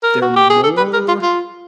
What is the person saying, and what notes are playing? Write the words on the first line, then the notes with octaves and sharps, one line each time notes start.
they're more
A#4
F#4
G4
G#4
A4
B4
A#4
F4
F4